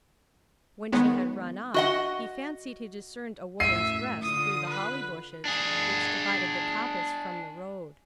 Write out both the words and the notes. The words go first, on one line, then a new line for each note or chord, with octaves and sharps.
When she had run off he fancied he discerned a woman's dress through the holly-bushes which divided the coppice from the road.
D#3 G#3 B3 C#5
F#4 D#5 F#5
F#2 A2 E5 C7 D#7
D3 F4 D#6
B4
D4 G#4